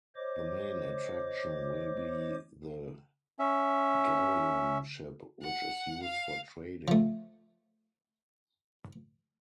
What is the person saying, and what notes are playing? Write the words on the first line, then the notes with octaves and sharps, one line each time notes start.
The main attraction will be the Galleon ship which is used for trading.
C5 C#5 D#5 D6
C#4 E5
F#5
F5
F3 A3